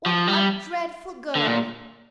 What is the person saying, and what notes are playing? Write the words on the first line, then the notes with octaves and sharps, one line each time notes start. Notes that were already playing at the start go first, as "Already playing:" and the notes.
"What a dreadful girl!"
F3
G3
D3
A#2